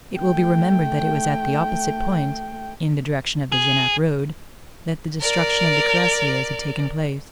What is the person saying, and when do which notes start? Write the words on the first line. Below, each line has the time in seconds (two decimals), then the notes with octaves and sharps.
It will be remembered that it was at the opposite point, in the direction of the Genappe road, that the destruction of the cuirassiers had taken place.
0.14 A3 G5
3.52 G#4
5.20 A#4 D5